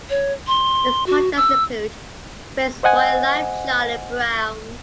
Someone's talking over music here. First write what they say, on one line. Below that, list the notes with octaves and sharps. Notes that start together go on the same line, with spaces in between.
His projects include "Race for your life, Charlie Brown".
C#5
C6
F#4
E6
C5 D#5 F#5 G#5